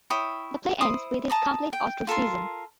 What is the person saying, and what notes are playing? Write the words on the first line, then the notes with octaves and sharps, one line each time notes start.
The play ends with his complete ostracism.
E4 C#5 G5 D#6
E4 C5 D#6
A5 A#5 D#6
G5
F4 A4 A#4 C6